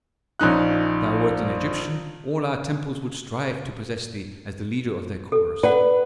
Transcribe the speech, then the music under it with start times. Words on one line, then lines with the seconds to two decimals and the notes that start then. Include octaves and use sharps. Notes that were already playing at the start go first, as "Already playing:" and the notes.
If thou wert an Egyptian, all our temples would strive to possess thee as the leader of their chorus.
0.40 A#1 C#4 D#4 F#6
5.32 A4
5.63 B4 D5 F#5